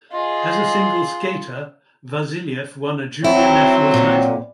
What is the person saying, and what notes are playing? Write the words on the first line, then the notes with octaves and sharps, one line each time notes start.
As a single skater, Vasiliev won a Junior national title.
F4 G#4 D#5
F#3 C4 E4
A#2